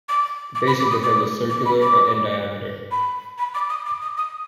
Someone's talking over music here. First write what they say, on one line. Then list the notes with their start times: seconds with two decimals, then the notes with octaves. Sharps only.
The base of the hill is circular and in diameter.
0.09 D6
0.55 D6
0.67 B5
0.79 D6
0.91 D#6
1.03 D6
1.50 D6
1.65 B5
1.82 D6
2.91 B5
3.38 B5
3.54 D6
3.69 D#6
3.86 D6
4.02 D#6
4.17 D#6